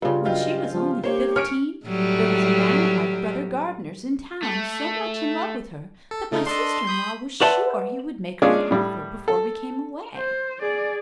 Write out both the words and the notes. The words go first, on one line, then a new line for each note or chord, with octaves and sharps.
When she was only fifteen, there was a man at my brother Gardiner's in town so much in love with her that my sister-in-law was sure he would make her an offer before we came away.
G2 C#3 F4
F#3 F4 G4 D#5
F3
A#3 G4 C5 C#5
C#4 C#5 F6 C#7 D7
A2 F#3 G3
A3
A4
C#3 A3 D#4
D4 A4 D#5 C6
B5 D#6 G6
B4 D5 E5 F#5 A5 C6
G#3 C#4 D4 F4 G#4
A2 G3
A4
C5
G#4 D5